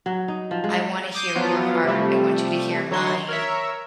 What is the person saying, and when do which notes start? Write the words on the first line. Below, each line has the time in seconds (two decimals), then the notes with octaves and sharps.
I wanna hear your heart, I want you to hear mine,
0.06 F#3
0.28 D#4
0.51 F3
0.64 G#3
1.15 D6 D#6 G6 C7 D#7
1.35 F3 F#3 B3 F4
1.85 C3 F3 G3 A3
2.91 D3 F#3 D#4 C#5 C6
3.29 A#4 C#5 E5